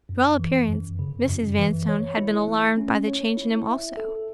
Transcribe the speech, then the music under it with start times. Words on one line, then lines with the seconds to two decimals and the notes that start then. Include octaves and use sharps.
To all appearance, Mrs. Vanstone had been alarmed by the change in him also.
0.09 F#2
0.39 E3
0.69 F#2
0.99 C#3
1.29 F#2
1.59 E3
1.89 C#5
2.17 E4
2.48 A3
2.77 C#4
3.07 C#5
3.37 E4
3.67 E5
3.97 A4